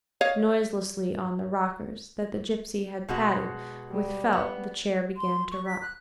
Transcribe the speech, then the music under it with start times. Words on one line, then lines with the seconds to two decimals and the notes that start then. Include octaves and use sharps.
Noiselessly on the rockers that the gipsy had padded with felt the chair began to rock.
0.21 C#5 D#5 F5
3.09 B2 G#3 F#4
3.91 G3
4.33 B3
5.17 C6
5.51 C#6
5.66 B6
5.82 F#6